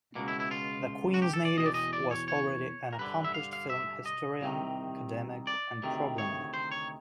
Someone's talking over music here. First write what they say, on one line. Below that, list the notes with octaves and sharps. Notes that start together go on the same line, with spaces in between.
The Queens native was already an accomplished film historian, academic, and programmer.
C#2 B2 A#3
E4
E4
F4
F#4
G4
A4
D5
E2 B2 D#5
D5
D#5
D5
C#5
C#5
A#4
G2 D3 B4
E5
F5
F5
E5
D#5
C2 C3 D#3
D5
D2 C3 D#3
C#5
C5
C#5